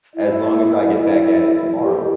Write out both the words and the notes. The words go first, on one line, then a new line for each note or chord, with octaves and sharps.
as long as I get back at it tomorrow."
E4
E4
G4